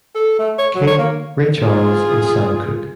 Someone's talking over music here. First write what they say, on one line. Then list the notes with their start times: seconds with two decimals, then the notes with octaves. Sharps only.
King, Ray Charles and Sam Cooke.
0.15 A4
0.39 A3
0.58 C#5
0.75 F#3
0.87 C#5
0.99 A#3
1.59 F4 G#4